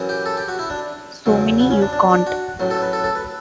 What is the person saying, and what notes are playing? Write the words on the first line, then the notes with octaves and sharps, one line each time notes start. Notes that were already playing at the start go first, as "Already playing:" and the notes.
So many you can't.
Already playing: F#2 E3
G4
A4
G4
F#4
E4
D4
E2 C#3 F#3
B3
C#4
D4
D4
D4
F#4
A1 A2 F#3
A4
B4
A4
A4
B4